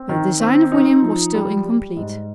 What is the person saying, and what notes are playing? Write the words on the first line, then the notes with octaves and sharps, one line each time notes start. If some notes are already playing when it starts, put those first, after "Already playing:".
But the design of William was still incomplete.
Already playing: C4
D#3
C4
D#4
F3
G3
G3
G#2